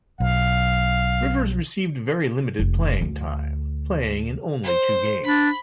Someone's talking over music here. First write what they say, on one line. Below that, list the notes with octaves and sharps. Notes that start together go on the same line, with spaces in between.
Rivers received very limited playing time, playing in only two games.
B1 F5
F1
D2
C5
D4 B5